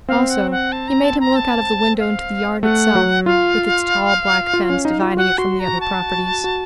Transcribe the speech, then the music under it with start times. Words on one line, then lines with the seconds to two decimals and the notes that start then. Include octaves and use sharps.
Also, he made him look out of the window into the yard itself, with its tall black fence dividing it from the other properties.
0.08 C4 F5
0.30 F#5
0.51 F#5
0.72 A5
0.88 A#5
1.04 A5
1.20 A#5
1.36 A5
1.99 F5
2.63 A3 F#5
2.95 F#3
3.26 F4 F5
4.54 F4
4.70 C#4
4.85 D#4
5.01 F4
5.17 F#4 F#5
5.38 F#4 C6
5.60 A#5
5.81 A5
6.44 F#4